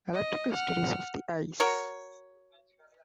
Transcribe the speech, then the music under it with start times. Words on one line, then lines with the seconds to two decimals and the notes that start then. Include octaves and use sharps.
Electrical studies of the eyes.
0.13 D#5
0.52 F#5 F6
1.60 F#4 A#4 C#5